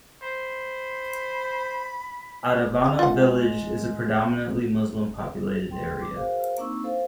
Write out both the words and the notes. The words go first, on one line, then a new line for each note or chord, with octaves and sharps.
Edavanna village is a predominantly Muslim populated area.
C5 B5
G#3 F4 F#5
G5 C6
D6
F#4 G#4 A#4 C5 F5
A#3 C4 D4 D#4 C#6 E6
A4 C5 F5